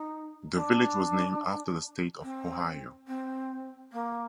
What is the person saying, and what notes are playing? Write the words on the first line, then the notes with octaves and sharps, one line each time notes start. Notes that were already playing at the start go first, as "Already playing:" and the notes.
The village was named after the state of Ohio.
Already playing: D#4
D4
C4
C4
A#3